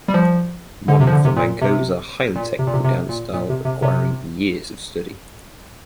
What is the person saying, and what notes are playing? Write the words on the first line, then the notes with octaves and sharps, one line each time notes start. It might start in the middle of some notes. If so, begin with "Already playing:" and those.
Modern flamenco is a highly technical dance style requiring years of study.
G3
F3
D3
C3
F3
D3
C3
A#2
C3
A#2
C3
A#2
C3
C3
A#2
A#2
C3
C3
C3